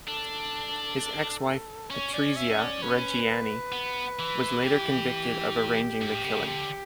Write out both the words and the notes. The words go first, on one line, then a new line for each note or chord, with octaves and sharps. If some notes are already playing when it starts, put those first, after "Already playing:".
His ex-wife Patrizia Reggiani was later convicted of arranging the killing.
D4 A4
C#4 C#5
D5
E5
D5
B4
B3
E3
G4
G2
A2
B2
C#3
D3 G4